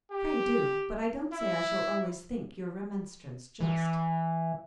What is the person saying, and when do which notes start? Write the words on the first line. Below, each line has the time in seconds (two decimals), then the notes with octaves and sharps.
"Pray do; but I don't say I shall always think your remonstrance just."
0.11 G4
1.32 E4
3.60 E3